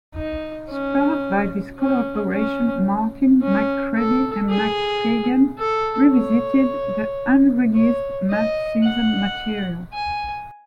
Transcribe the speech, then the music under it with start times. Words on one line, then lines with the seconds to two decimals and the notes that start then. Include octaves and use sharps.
Spurred by this collaboration, Martin, McCready and McKagan revisited the unreleased Mad Season material.
0.15 D#4
0.69 C#4
1.79 C#4
2.32 C#4
3.42 C#4
3.96 A4
4.50 G#4
5.58 A4
6.12 C#5
7.75 C#5
8.30 D#5
8.84 F#5
9.93 G#5